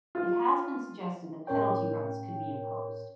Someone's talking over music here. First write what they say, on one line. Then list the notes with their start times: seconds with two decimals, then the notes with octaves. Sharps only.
It has been suggested that penalty runs could be imposed.
0.15 F4
1.47 A2 C#4 A#4 C#5 G5